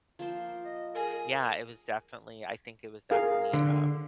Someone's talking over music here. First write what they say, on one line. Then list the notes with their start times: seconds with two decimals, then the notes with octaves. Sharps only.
yeah, it was definitely I think it was definitely, um,
0.19 F3 A#3 C5
0.64 D#5
0.95 G#4 A#4
3.11 G#4 A#4 F5
3.53 D3